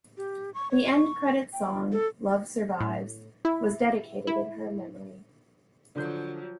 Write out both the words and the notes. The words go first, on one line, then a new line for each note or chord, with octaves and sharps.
The end credits song "Love Survives" was dedicated in her memory.
G4
C#6
C#5
C#6
G5
A4
A2
E4
E4
D3 F3 F#3 G6